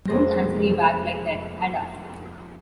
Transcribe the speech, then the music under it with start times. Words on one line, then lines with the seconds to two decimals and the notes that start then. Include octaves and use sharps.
Don’t answer me back like that, Ada.
0.08 F1 G#3 A#3 B3 C5 A#6